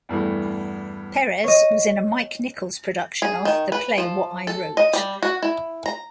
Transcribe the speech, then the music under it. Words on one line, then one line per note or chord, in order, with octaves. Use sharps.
Perez was in a Mike Nichols production of "The Play What I Wrote".
E2 G2 E3 A3
C#5 D#5
G#4
D#3
B4
F3
A4
D#5
G3
F#4
E4
A#5